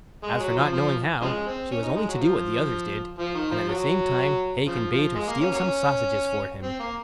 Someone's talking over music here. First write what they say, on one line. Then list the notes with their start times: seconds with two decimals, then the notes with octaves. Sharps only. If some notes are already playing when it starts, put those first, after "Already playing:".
As for not knowing how, she was only to do what the others did, and at the same time Hacon bade her steal some sausages for him.
0.23 G#3
0.40 F#3
0.57 F3
0.72 F3
1.21 C#3 F3 G#3
1.46 C4
1.71 C#4
1.83 D#4
1.96 G#3
2.08 F#3
2.20 F3
3.18 F3
3.35 D#3
3.51 F3
3.68 F#3
4.66 C#3 F3
4.91 F3
5.15 G#3
5.27 A#3
5.40 C#4
5.52 F#3 A#3 C#4
6.63 C4
6.80 A#3